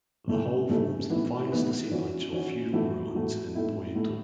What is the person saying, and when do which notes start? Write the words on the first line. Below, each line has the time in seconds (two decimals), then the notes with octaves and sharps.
The whole forms the finest assemblage of feudal ruins in Poitou.
0.28 C#3 A3 E4
0.69 C#3 A3 E4
1.10 A2 E3 B3 E4
1.51 A2 E3 B3 E4
1.91 E3 C#4 F#4
2.33 E3 C#4 F#4
2.73 A2 E3 A3 F#4
3.14 A2 E3 A3 F#4
3.55 A2 A3 E4
3.95 A2 A3 E4